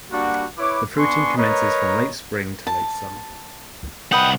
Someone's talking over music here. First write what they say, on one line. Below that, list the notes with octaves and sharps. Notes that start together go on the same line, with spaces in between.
The fruiting commences from late spring to late summer.
G3 A#3 D4 F#4
E4 B4 C#5 D6
B3 D4 G#5 C6 C#6
A#4 B4 C#5 D#5 A#5
A5
C2 B4 D#5 F#5 G5